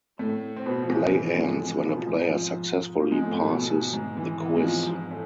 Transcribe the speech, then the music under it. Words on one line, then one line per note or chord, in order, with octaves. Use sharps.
Play ends when a player successfully passes the quiz.
A2 A3
C4
B2 B3
F3
G#2 G#3
E3
F3
G#2 G#3
A2 A3
G#2 G#3
B2 B3
F3
G#2 G#3
F3
F3
G#2 G#3
A2 A3
A2 A3
B2 B3
G#2 G#3
G#2 G#3
E3
E3
G#3
F3
G#2 G#3
A2 A3